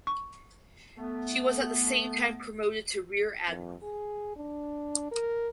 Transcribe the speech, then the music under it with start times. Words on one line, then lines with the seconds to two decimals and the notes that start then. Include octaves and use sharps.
She was at the same time promoted to rear admiral.
0.07 C#6
0.98 A3 B3
3.47 F2
3.83 G#4
4.36 D4
5.12 A#4